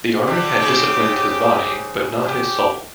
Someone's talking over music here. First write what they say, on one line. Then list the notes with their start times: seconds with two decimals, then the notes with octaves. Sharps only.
The army had disciplined his body, but not his soul.
0.27 D3 G4
0.60 G#2 C#3 C#5
2.26 G4